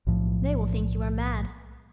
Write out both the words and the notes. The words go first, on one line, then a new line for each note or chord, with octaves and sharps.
"They will think you are mad."
B1 A2 F3